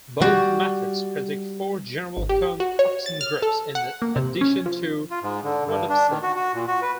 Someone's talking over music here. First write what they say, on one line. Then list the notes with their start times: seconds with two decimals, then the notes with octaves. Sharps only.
Both methods predict four general cone opsin groups in addition to rhodopsin.
0.21 G3 F#4
2.17 G#1
2.29 G4
2.60 F#4
2.79 C#5
3.06 A6
3.21 F6
3.42 A4
3.75 F#5
4.02 A#3
4.16 C3
4.41 C#4
4.66 F3
5.10 F4
5.23 G#2
5.44 D3
5.66 G2
5.89 D4
6.10 D#3
6.23 F#4
6.36 F#4
6.54 A#2
6.68 F#4
6.82 B4